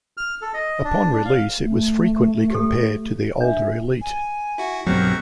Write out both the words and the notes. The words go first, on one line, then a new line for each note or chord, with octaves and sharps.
Upon release, it was frequently compared to the older Elite.
F6
A4
D#5
D4
D4
F5
A3
G4 A4
D4 E5
G#5
E4 F#4
B1 G2 B2 F#3 A#3 C4 C#6 F#6